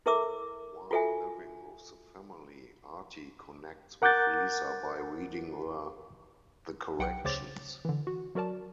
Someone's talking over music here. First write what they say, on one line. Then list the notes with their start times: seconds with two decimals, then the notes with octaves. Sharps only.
While living with the family, Artie connects with Lisa by reading her "The Corrections".
0.06 E4 A4 A#4 E5 D6 E6
0.91 F4 F#4 A4 E5 G#5
4.02 A#4 F#5 D6 F#6 G6 A6
6.99 B1 F#5 G5 C#7
7.25 D2 C#3 C5 C#5 D6 A6
7.85 D3 E3
8.07 F#4
8.35 F#3 F#4 A#4 D5 A5